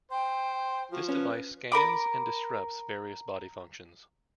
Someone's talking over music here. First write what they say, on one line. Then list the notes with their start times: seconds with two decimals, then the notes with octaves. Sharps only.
This device scans and disrupts various body functions.
0.12 C5 G5
0.92 F3 F#4
1.09 C#4 B4
1.72 A#4 B5 D6